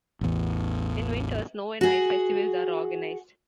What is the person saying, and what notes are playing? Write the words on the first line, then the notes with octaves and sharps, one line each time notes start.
In winter, snow and ice festivals are organized.
A1 E2
F#4 G#4